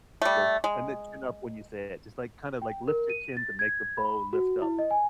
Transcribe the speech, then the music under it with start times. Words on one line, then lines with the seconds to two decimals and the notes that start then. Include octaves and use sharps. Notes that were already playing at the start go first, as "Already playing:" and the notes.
Boh. And then chin up when you say it. Just, like, kinda, like, lift your chin to make the Boh lift up.
0.22 G3 A3
0.64 G#3
2.62 G5
2.88 A#4
3.10 D#7
3.37 A6
3.59 G#6
3.97 B5
4.33 F#4
4.62 E4
4.79 D#5
4.91 G#5